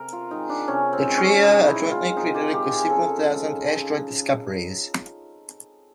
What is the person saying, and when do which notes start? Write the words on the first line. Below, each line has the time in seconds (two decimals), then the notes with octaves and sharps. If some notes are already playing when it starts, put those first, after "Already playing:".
The trio are jointly credited with several thousand asteroid discoveries.
Already playing: C3 A#4
0.13 F4
0.31 D#3 G#3 D#4
0.49 D4
0.68 C3 C#4
0.93 C4
1.05 D#3 G#3
1.17 C#4
1.42 C3 D#4
1.67 E4
1.79 D#3 G#3
1.91 F4
2.16 C3 D#4
2.34 G4
2.53 D#3 G#3 G4
2.71 G#4
2.90 C#3 A4
3.27 F3 G#3
3.64 C#3